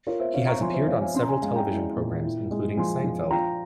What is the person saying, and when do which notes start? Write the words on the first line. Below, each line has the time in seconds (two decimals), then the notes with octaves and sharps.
He has appeared on several television programs, including "Seinfeld".
0.07 F4 A#4 C#5
0.20 C5 E5
0.34 C4 C#5 F5
0.47 A#5 C#6
0.61 F3 G#5 C6
0.74 C5 E5
0.87 F3 C#5 F5
1.01 F5 G#5
1.15 C#4 G#5 C6
1.23 A#5
1.29 G#5 C6
1.42 G#3 F5 G#5
1.56 G5 A#5
1.69 E4
1.96 A#2
2.24 E4
2.51 G#3
2.77 F3 G#5 C6
3.04 F3
3.31 F4 G5 A#5